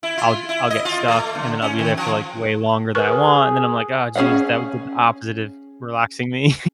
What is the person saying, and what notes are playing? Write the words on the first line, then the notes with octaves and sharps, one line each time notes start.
I'll g I'll get stuck, and then I'll be there for, like, way longer than I want, and then I'm like, "Oh, jeez." That would do the opposite of relaxing me.
E4
F4
E4
D#5
F4
A3
D3
C#4
D#3
F3
G#4 A#4 B4 C#6
C#4 G#4 D#5 F5 F#5